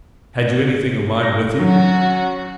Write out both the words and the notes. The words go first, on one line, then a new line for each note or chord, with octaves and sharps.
"Had you anything of mine with you?"
A#6
F#3 C#4 F#4